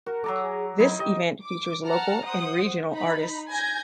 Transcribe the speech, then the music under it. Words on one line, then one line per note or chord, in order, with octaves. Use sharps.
This event features local and regional artists.
F#4 A#4
F#3 A4 A#5 D6
G#4
F#3 D#4 E4
G4 D#5
D6
F#5 A5 A#5 F6
C5 F#5 D#6
D#4 B5
G#5 G6 G#6 A#6